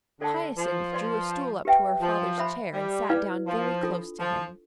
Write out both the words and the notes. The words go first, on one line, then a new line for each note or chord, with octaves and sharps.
Hyacinth drew a stool up to her father's chair and sat down very close to him.
D3 A4 D5 A5
F3
B4 D5 F5 C6
G4 B4 E5 G5
F3
C5 E5 B5
G3
E4 B4 D5 F5
F3
D4 F4 A4
F3